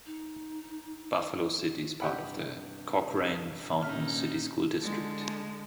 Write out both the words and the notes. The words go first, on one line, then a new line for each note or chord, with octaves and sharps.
Buffalo City is part of the Cochrane-Fountain City School District.
D#4
G2 C3 G4 F#5 B5
A#2 C#4 D#4 E5 F6
D3 G#3